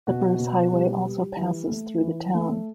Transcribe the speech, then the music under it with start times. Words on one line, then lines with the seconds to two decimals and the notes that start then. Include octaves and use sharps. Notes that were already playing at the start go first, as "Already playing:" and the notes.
The Bruce Highway also passes through the town.
0.07 B2 F#4
0.39 B2
0.73 G3
1.05 G3
1.37 E3
1.70 A3
2.01 E3
2.35 A3